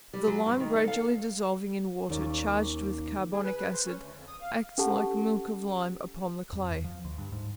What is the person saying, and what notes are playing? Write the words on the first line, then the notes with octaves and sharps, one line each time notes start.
The lime gradually dissolving in water charged with carbonic acid, acts like milk of lime upon the clay.
G3
F#3
G2
D#3
A4
F5
D#2 C#4 D5 D#7
G#4
B4
B4
C5
C#4
D2
F2
D#6
F5
C#4 G4 A4 F#5 A5
F2
E2
F3
D2
G2
G#2